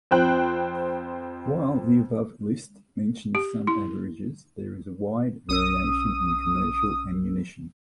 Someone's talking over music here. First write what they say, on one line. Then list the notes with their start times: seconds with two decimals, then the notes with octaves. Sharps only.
While the above list mentions some averages, there is wide variation in commercial ammunition.
0.11 F2 C4 C5 G5 F#6
3.35 G4
3.67 E4
5.49 B1 C#4 D#6 E6